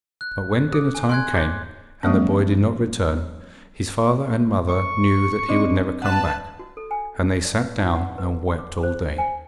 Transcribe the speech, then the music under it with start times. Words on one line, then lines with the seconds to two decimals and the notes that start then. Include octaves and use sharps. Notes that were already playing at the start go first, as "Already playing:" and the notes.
But when dinner-time came, and the boy did not return, his father and mother knew that he would never come back, and they sat down and wept all day.
0.21 F#6
0.71 G#4 A4 C5
0.95 G#5
1.09 G#5 C6 F#6 G#6
1.34 G#4 C5 C#5
2.03 F3 G3 A3 B3 C#4
4.69 C#6
5.49 C4 D4 D#5
6.02 B4 F#5 A5 F#6
6.59 F#4
6.77 A4
6.91 G#5
7.45 D5
7.61 B4
7.79 D#4
7.96 F#5
8.18 B4
8.59 D6
8.83 C5
9.18 G#5